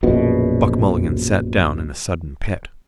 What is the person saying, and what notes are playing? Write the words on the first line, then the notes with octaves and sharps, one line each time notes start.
Buck Mulligan sat down in a sudden pet.
A#1 F#2 B2